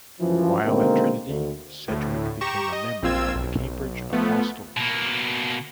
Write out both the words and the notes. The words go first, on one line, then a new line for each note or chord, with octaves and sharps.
While at Trinity, Sidgwick became a member of the Cambridge Apostles.
C#2 F#2 E3 F3
B2 D3 D#3 G#3 A#3 C4
D2
D2 A2
G4 A#5 C#6 E7
D#5
A#1 C4 F4 E6 G#6
B1
F3 A3 B3
B2 A#3